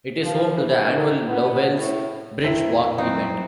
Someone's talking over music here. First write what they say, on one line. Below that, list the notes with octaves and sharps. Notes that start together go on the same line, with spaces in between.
It is home to the annual Lovells Bridge Walk event.
F3
E3
D#3
B3
A2
F1 A3 C4 E4 E5
F#3 C4 D#4 B4